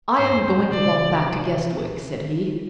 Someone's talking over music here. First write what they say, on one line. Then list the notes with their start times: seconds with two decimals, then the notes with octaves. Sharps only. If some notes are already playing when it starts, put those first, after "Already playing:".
"I am going to walk back to Guestwick," said he.
0.18 G#2 C5
0.31 F2
0.44 F#2
0.58 B2
0.71 C#3 D5
1.23 C3